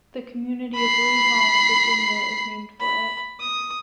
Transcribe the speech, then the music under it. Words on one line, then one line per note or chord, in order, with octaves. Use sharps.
The community of Lee Hall, Virginia is named for it.
B5 C7
B5
D#6